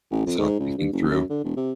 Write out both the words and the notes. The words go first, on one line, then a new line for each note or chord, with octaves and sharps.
it's all thinking through,
A1
F2
G#2
C#2
G2
F#1
F#2
D3
E1
C3